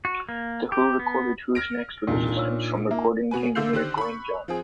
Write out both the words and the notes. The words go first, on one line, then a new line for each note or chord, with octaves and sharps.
The Who recorded "Who's Next" with assistance from recording engineer Glyn Johns.
F#4
A#3
G4
B3
F6 A#6 D7
E1 C2 A#2 D4 D#4 F4
C#5 E6 F6
A#3 E5
B2 F#4 B4 G#5
D3 A3 A#3 E6 G6 C7
D3 D#3 G4 C5 F#6
B5 C#6
F3 C4 G#4